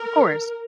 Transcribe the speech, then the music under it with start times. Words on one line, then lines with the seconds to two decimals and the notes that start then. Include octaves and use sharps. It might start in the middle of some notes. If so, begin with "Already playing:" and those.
Of course.
Already playing: A#4